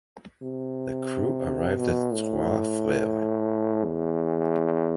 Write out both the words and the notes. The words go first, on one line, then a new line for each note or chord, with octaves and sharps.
The crew arrived at Trois Freres.
C3
B2
A2
E2